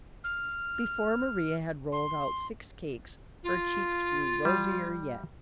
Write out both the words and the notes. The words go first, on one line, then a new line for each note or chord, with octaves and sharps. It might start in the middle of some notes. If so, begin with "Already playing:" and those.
Before Mari had rolled out six cakes, her cheeks grew rosier yet.
F6
C6
F4
G3